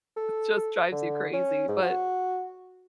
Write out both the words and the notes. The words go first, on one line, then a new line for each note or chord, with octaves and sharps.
just drives you crazy, but
A4
D3
C#4
G#2
F#4